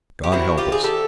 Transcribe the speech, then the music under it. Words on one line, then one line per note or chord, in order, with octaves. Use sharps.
God help us!
G4
D#3 G3 C4 E4 F#4
F4 G4
G#4
G4 A4